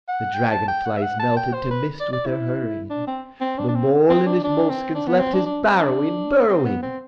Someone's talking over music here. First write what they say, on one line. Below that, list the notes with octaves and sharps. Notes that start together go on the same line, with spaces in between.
The dragon-flies melted to mist with their hurrying. The mole in his moleskins left his barrowing burrowing.
F#5
G5
A5
G5
F#5
E5
F#5
A5
G5
C5
B4
D5
D5
E4
D4
C4
C4
D4
D4
C4
C4
D4
D4
C4
D4
B3
C4
D4
D4
C4
D4
C4
B3
C4